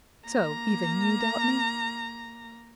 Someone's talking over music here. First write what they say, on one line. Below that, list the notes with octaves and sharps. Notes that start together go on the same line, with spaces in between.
"So, even you doubt me?"
A#3 A#5